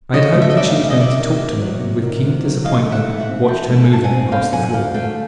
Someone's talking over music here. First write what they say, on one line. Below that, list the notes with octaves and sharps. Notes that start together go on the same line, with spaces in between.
I had hoped that she was going to talk to me, and with keen disappointment watched her moving across the floor.
F3 C#5 D#5
A3
E5
D#5
C#3 D5 E5
F5
C#3 E5
D#5
C3 D5 E5
D#3
D2
F#3
C3
D#3
D2
F#3
E3 D#5 F5
A3
E5 F#5
G#2
E5 F#5
C4
E3 G5 A5
A3
A5
G#5
G#2 G5 A5
F#5 G#5
C4
D3 F5 G5
F#3 F#5 G#5
D2 F5 G5
A3 F5 G5